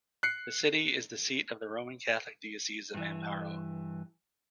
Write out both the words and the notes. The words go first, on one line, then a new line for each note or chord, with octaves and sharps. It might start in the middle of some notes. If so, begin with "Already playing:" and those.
The city is the seat of the Roman Catholic Diocese of Amparo.
F#6 C7 C#7
G2 E3